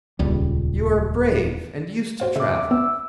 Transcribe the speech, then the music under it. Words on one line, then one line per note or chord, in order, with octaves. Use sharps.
You are brave and used to travel.
D#1 C#2 G3
F#4 C5 F5
C#3 G#3 E5 D6
B3 E6